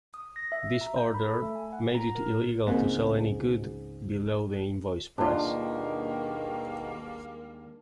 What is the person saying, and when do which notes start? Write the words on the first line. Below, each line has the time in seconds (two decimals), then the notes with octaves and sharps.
This order made it illegal to sell any good below the invoice price.
0.14 D#6
0.36 A#6
0.52 E5
0.81 A#5
0.96 G6
1.14 B5
1.27 A4
1.42 A3
1.55 G#5
1.73 F#5
1.95 A#5
2.15 A#4
2.67 C#2 G#2 A#3 C4 A#4
5.18 D#2 B2 D#3 G3 G#3 A#3 D4 F4